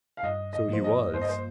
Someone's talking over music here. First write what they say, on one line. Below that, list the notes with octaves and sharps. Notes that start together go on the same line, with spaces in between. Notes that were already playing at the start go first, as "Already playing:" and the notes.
So he was.
F5
G2 D#5
D#5
F3 A#3 F4 C5
D#5
G2 C5
D#5
C5